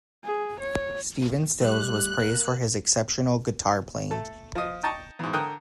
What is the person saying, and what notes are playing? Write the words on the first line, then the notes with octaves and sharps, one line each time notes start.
Stephen Stills was praised for his exceptional guitar playing.
G#4
C#5
G3 A3 F#6
A#3
A3 A4
F3 D#5
D#5 G5 A5 A#5 C#6 D#6
E2 G#2
D3 A#4 G5 D#6 F#6